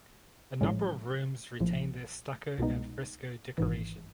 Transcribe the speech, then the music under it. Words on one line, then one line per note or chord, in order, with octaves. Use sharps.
A number of rooms retain their stucco and fresco decoration.
A#1 A2 F3 G#3 C#4
A#1 A2 F3
C2 B2 G#3 B3 D#4
G#1 G#2 E3